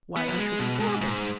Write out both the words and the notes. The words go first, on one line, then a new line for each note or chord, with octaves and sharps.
Why, I should be horrible!
B3
F#3
G#3
B2
G#2
G#2